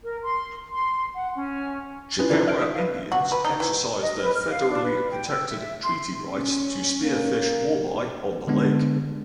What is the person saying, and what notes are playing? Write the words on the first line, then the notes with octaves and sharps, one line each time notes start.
Chippewa Indians exercise their federally protected treaty rights to spearfish walleye on the lake.
A#4
C6
C6
F#5
C#4
C#4 D4 E4 F4 B4
D#4 F4 A4 B4 D5
D5 E5 F6 G6 D7
D#6 E6 B6
B4 F5
F#4
B4
D#4
E3
D#5
B4
F6
F5
D4
B4
G5
E6
E5
C6
C#4
A#3
D3 G#3 B3 D4